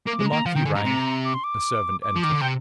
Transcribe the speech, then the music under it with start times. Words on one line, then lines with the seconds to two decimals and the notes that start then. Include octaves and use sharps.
The marquis rang, a servant entered.
0.07 A#3 D6
0.20 G#3
0.26 A#5
0.33 A#3
0.46 F3 F5
0.55 D#3 G5
0.66 D3 G#5
0.75 G2 A#5
0.85 C3
1.25 D6
1.34 C6
1.44 D6
2.02 D6
2.15 F3
2.22 D#3 D6
2.32 D3
2.41 C3 G5